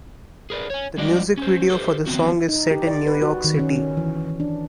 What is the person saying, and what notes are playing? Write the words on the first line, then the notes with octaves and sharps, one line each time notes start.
The music video for the song is set in New York City.
G#4 A#4 B4 D5
C#5 G#5
G3 G#3 C#4 F#4 D5 D#5
C#4 C5
G4 A4 B4 C5
D#3 F#3 B3 C4 F#4
D#4
G4
D5
B4
F#4
D#3
C#4
C#4
E3
D4